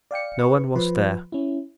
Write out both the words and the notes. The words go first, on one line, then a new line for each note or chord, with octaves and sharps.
No one was there.
D5 F5 G5 C#7
B4 C#6
F3 B4 C5
C#4 E4